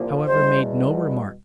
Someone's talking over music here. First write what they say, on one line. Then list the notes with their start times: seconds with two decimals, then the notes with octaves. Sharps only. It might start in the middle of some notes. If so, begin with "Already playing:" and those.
I however made no remark.
Already playing: C2 A#2 F3 A#3
0.25 E2 B2 G3 C5